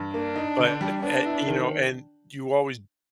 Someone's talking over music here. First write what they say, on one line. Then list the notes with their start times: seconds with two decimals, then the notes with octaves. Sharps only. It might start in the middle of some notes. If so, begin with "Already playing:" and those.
but at you know, and you always,
Already playing: G2
0.14 A#3 D4
0.36 D#4
0.58 D3
0.81 G3
1.02 B3 D4
1.25 E4
1.47 D#3